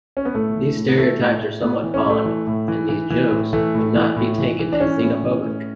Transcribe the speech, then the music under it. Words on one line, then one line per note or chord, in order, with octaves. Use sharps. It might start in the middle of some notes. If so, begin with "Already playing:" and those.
These stereotypes are somewhat fond, and these jokes would not be taken as xenophobic.
C#4
B3
A2 A3
E3
A2
B3
E3 A3
A2
A2
A2 B3
E3
C#4
A2
A3
E3
A2
E3
E3
E3
A2
E3 A3
A2
E3
A2
E3
E3
D4
E3 C#4
A2
E3
A2